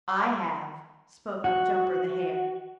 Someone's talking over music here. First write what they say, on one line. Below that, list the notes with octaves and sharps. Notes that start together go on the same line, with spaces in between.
"I have," spoke up Jumper the Hare.
F#4